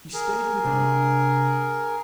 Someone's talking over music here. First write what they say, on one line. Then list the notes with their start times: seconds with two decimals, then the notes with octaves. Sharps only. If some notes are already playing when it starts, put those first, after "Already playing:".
She stayed with me.
0.14 G#4 A#4
0.65 C3 D4